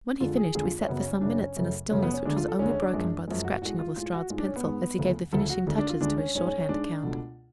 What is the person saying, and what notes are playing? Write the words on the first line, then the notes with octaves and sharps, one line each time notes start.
When he finished we sat for some minutes in a stillness which was only broken by the scratching of Lestrade's pencil as he gave the finishing touches to his shorthand account.
F2 D3 G#3 F4
G#4
F2 D3 G#3 G#4
F4
C#4
F#2 C#3 F#3 B3
C#4
C#4
F#2 C#3 F#3 D4
C#4
F#2 C#3 F#3 A3
F#2 C#3 F#3 A3 C#4
B3
C#4
D2 D3 G#3 D4
F4
A4
D2 D3 G#3 C#4
C#4
D4
F#2 F3 G#3
F#2 F3 G#3
F#4
A2 G#3 F#4
F4
A2 G#3 F4
F#4
G#2 G#3 F4
D4
C#4
B3
G#2 G#3
D2 C#3 F3 A3
D2 C#3 F3 A3 A4
F#4
D2 D3 G#3
D4
F4
D2 D3 G#3 D4
C#4
G#2 G#3 C#4
C#4
C#4
G#2 G#3 D4
C#2 B2 A3